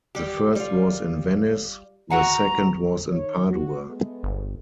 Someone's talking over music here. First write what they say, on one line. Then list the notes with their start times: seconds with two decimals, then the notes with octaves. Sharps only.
The first was in Venice, the second was in Padua.
0.15 G3 G4
0.55 G3 F4
2.10 F#4 F#5 G#5 A#5
3.09 D#3 C#5
3.47 F#4
3.87 G#3 A3 B3
4.23 G1